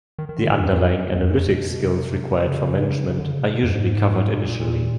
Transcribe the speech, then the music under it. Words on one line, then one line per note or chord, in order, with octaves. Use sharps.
The underlying analytic skills required for management are usually covered initially.
D#3
D#3
D3
A2
F2
F2
E2
F2
F2
B2
C3
C#3
C#3
D3
C#3
C3
B2
F2
G#2
B2
A#2
A#2
A#2